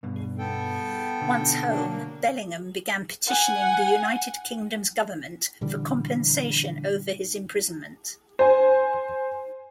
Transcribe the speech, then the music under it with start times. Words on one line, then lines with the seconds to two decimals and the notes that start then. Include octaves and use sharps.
Once home, Bellingham began petitioning the United Kingdom's government for compensation over his imprisonment.
0.03 G2 B2
0.39 B3 A4 G5
1.21 B2 D3
1.68 F#3 A#3 D4
1.87 A#3
3.27 F#5 G#5
5.61 A#2 D3 E3 G3
8.39 C5 G#5